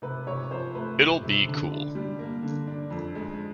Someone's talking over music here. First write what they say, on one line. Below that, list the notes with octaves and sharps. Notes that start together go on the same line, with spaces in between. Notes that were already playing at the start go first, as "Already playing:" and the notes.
It'll be cool.
C3 B4
C3 C#5
F3 C5
A3 B4
C3
C3
D3
D4
G3
A#3
D3
D4
F2
G#3